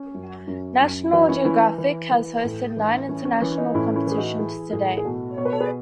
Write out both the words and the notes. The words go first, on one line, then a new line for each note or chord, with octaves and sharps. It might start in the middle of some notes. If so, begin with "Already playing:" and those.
National Geographic has hosted nine international competitions to date.
Already playing: C#4
F#2
F#2 C#4
F#2
E3 D#4 F#4
C#4 E4
E3 C#4 E4
E3
E3
A2
E3
E3 C#4
C#4
E3 C#4
C#4
D#4
A2 C#4 E4
C#4 E4
E3 G#4
D#4 F#4
E3 E4 G#4
A2 E4 G#4
G#4
B2 F#4 A4
B2 C#5
B4
A4
G#4 B4